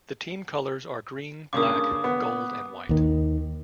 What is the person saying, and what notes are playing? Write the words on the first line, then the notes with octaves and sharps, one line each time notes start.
The team colours are green, black, gold and white.
G2 C#3 A#3 D6 D#6
B3
D#2 D#3